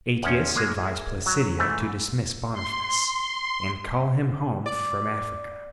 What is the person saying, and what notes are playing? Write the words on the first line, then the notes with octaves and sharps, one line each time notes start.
Aetius advised Placidia to dismiss Boniface and call him home from Africa.
E2 F3 C#4
G#3 A#3 G#4
G#4 A#4 D5 E5
F#3
G#2 E3 A3
C6
D5